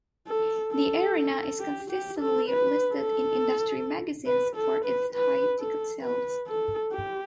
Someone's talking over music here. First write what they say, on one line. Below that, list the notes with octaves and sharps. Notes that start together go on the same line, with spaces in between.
The arena is consistently listed in industry magazines for its high ticket sales.
A4
A4
A4
G4
G4
A4
B4
A4
B4
A4
B4
B4
A4
B4
A4
G4